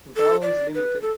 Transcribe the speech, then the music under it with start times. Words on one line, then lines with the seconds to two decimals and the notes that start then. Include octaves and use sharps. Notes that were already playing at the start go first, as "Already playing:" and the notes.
Vowles Ltd.
0.16 A4
0.42 D5
0.75 B4
1.02 A4